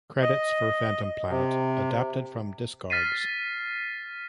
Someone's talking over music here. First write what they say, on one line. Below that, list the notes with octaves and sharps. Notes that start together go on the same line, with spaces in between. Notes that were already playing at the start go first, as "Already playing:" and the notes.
Credits for "Phantom Planet" adapted from Discogs.
D#5
C3
F6 A6 B6 C7 D#7